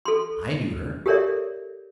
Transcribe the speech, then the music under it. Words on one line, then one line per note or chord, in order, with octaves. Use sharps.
I knew her.
A4 C6
G4 A4 A#4 C#5 D5 E5